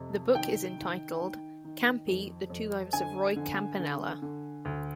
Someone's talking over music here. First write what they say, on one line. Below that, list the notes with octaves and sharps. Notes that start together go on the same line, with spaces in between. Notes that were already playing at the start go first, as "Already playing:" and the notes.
The book is entitled "Campy - The Two Lives of Roy Campanella".
Already playing: F2 C3
D#3 G5
D#3
D#3
D#3
F2
F2
D3 G#5
D3
D3
D3
D2